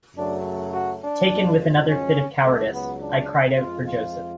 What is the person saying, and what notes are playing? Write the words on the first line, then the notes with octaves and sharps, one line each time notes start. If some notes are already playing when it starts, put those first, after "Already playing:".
Taken with another fit of cowardice, I cried out for Joseph.
F#2 C#3 F#3 A3 D4
F#4
D4
F#2 F3 G#3
C#4
C#2 C#3 F#3 A3
B3
D4
F2 F3 G#3 F4
F4